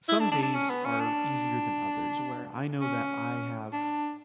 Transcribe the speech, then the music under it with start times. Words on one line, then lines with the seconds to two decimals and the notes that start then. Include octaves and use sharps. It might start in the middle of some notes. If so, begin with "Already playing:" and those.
some days are easier than others where I know that I have
0.08 E4
0.20 D4
0.32 D4
0.43 D4
0.55 C#4
0.70 B3
0.85 C#4
1.00 D4
2.81 C#4
3.73 D4